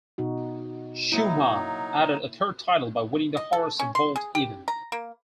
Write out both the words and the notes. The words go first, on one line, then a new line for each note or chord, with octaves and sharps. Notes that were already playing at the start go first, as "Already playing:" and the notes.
Schuhmann added a third title by winning the horse vault event.
B2 D#4 F#4
F#3 A#3 D#4 E4
D#5
A4
C#4
C6
G#4
G4
A#5
A#3